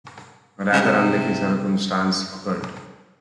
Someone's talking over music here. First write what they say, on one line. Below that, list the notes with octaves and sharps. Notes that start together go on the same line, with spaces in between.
A rather unlucky circumstance occurred.
C#3
C3